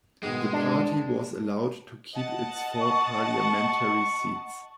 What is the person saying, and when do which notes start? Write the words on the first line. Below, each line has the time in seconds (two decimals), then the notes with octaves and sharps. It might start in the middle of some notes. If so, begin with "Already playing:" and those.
The party was allowed to keep its four parliamentary seats.
0.23 G#2 B2 D#3 G#3
0.53 D4
2.15 D#5 F#5 A5
2.82 C#6